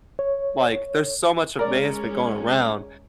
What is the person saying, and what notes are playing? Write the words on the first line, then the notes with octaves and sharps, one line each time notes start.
Like, there's so much advancement going around,
C#5
G#3 C#4 A#4 D5